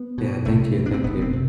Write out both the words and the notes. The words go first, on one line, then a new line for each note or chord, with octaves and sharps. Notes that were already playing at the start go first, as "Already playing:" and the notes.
Yeah. Thank you. Thank you.
Already playing: B3
B2
C2 A3
B2
D4
C4
F1 B3
C4
C3